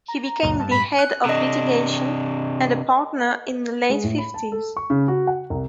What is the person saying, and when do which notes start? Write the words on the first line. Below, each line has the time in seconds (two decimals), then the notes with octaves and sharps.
He became the head of litigation and a partner in the late fifties.
0.08 A#5
0.43 C#2 F#2 A#2
0.59 G2 A5
0.71 A2 B5
0.99 F#6
1.25 C3 D4 A4 D#5
3.90 G#3
4.03 A2
4.18 B5
4.34 A5
4.52 A4
4.77 C#6
4.90 C#3
5.08 F#4
5.27 F#5
5.50 C2